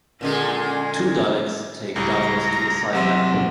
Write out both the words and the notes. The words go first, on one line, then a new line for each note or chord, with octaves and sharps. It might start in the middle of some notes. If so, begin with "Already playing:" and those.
Two Daleks take Davros to a side lab.
A#2 D3 G#3 C#4
C#2 A2 G3 A#5
E2 C3 F#3 E5 C6